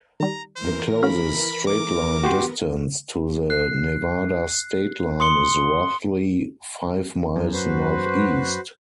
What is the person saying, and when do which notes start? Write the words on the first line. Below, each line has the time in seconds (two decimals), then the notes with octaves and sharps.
The closest straight-line distance to the Nevada state line is roughly five miles northeast.
0.20 D#3 G3 A#5
0.56 E3 A#4 C5 A#6
1.03 C#4 F#4 F5 B5
1.67 D6
2.24 B3 F#4 G4 C6
3.50 F#6 C7
5.20 C6 D#6 C#7 G7
7.36 F#2
7.53 F#4 B4 C5